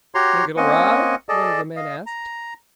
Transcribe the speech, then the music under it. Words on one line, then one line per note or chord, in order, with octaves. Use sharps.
"Think it'll ride?" one of the men asked.
F#4 G4 C#5 A#5 C6
A#3 C4 C#4 D#5 F#5 G#5
G#4 A4 D5 D#5 A5
D#5 F5
A#5